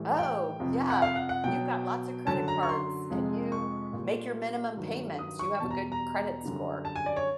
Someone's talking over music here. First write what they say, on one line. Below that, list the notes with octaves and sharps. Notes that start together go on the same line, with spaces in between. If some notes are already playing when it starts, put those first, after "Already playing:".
"Oh, yeah. You've got lots of credit cards, and you make your minimum payments. You have a good credit score."
Already playing: A2 E3 G3
G5
F2 C3 F3
F#5
F5
F#5
F#5
B2 F#3 G5
F#2 D3 F#3 A5
A#5
C#6
C6
F2 C3 F3 G#3
C#6
A#2 G3
G2 D#3 F#3
D#6
C#6
E2 B2 G3 A5
A#5
A#5
F#2 D3 G3
A5
G#5
D5
C#5